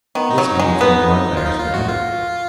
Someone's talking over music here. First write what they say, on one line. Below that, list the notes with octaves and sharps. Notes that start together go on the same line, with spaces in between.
This made me feel more embarrassed than ever.
D#3 B3
D#4
F#3
D#4
G#3
B3
F4
D#4
F4
F#4
F4